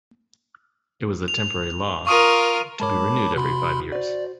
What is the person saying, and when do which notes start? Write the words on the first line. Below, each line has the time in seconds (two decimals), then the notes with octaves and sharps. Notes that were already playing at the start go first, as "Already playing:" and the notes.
It was a temporary law, to be renewed every five years.
1.28 F7
2.07 F4 A#4 C#6 D#6 D#7
2.80 G#3 A#4 C#5 A5 B5 D6
3.36 C3 F#4 B5 C6
3.92 F#4 C5 D5